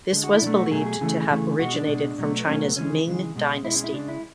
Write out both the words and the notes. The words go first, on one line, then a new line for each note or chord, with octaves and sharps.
This was believed to have originated from China's Ming dynasty.
D3 G#3
F#4
E4
B2 F#3 A3 D4
F#4
B2 F#3 A3 G#4
G#4
C#3 E3 A3
C#3 E3 A3
B2 G#3 F#4
D4
B2 G#3
B2 F#3 A3
B3
B2 F#3 A3 C#4
B3
C#3 E3 G#3 C#4
C#3 E3 G#3
B2 G#3
B2 G#3 E4
C#4
E4
C#3 G#3 D4
E4